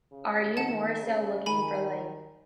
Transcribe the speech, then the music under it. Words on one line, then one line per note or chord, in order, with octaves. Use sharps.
are you more so looking for, like,
C#3
D#3 F#5 A5
C#3
D#3 G#5 B5